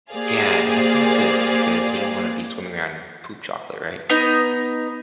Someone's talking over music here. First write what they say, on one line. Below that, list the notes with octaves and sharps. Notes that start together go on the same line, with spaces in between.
Yeah, and that's not good because you don't wanna be swimming around poop chocolate, right?
A#3 G4 G#4 C5 D5 F5
B3 D#4